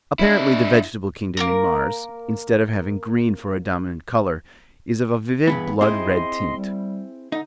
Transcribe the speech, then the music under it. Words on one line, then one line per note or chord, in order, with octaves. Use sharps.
Apparently the vegetable kingdom in Mars, instead of having green for a dominant colour, is of a vivid blood-red tint.
D4 E4
A#3 C#4 A#4
G2 E3 B3 G#4 B4 B5
C4 E4 G#4 D#5 C6
G3
D3 D#4